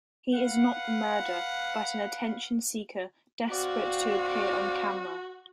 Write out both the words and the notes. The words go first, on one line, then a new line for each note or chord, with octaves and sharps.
He is not the murderer, but an attention seeker desperate to appear on camera.
B4 F5 F#5
C4 F#4 D5 F5